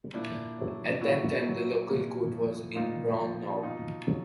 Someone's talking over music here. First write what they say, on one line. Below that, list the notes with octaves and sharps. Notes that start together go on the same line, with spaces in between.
At that time, the local court was in Braunau.
A#2 D4 E4
F#3
A#2 E4 F#4
F#3
A#2
F3
A#2 D#4 F4
F3
B2 D#4 F4
F#3